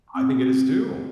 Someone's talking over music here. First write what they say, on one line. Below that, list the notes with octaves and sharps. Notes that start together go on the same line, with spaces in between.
I think it is too.
C4